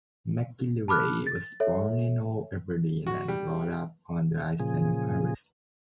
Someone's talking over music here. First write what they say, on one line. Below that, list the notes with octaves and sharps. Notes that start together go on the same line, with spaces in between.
MacGillivray was born in Old Aberdeen and brought up on the island of Harris.
A5 B5 D6 F6 F#6
A6
A4 C#5 E5
F#4
G3
A#2 C#3 F3 G#4